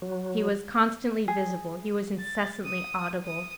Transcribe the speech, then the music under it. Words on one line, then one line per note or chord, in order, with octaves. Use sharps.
He was constantly visible, he was incessantly audible.
F#3
G#4
A6
D#6
D#6